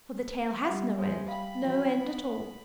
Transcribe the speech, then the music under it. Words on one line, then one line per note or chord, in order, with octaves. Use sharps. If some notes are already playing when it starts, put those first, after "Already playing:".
For the tale has no end, no end at all.
G3 E5 F#5
G#3 C5 C#5 E5
F5 G5 B5
E3 F#3
B3